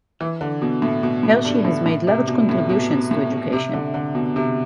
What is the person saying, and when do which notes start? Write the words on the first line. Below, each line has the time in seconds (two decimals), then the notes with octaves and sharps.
Hershey has made large contributions to education.
0.21 E3
0.41 D3
0.62 B2
0.82 A2
1.03 B2
1.23 A2
1.45 G2
1.65 A2
1.86 A2
2.07 C3
2.28 B2
2.49 A2
2.69 B2
3.11 A2
3.53 C3
3.74 D3
3.94 D3
4.15 B2
4.36 C3